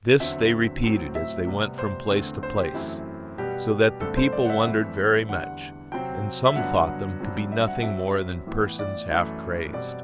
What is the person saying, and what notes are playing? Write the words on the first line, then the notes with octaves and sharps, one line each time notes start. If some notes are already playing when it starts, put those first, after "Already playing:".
This they repeated as they went from place to place, so that the people wondered very much; and some thought them to be nothing more than persons half crazed.
E2 D3 F#3 C4 E5
A2 F#3 C4
E5
C3 G3 B3
C5
E2 D3 A3 C4
C5
G4
F#2 E3 A3 C4 E4
B2 G3 B3 G4
G2 D3 A3 C4 A4
C5
D5
F#5
E5
G2 E3 A3 C4
E2 D3 G3 F#5
C3 F#3 C4 G5
E5
G2 D3 F#3 B3 F#5
G2 F#3 C4
E5
F#5
F#2 F#3 C4 E5
A2 E3 B3
D5
F#2 E3 A3
B2 G3 C4 D5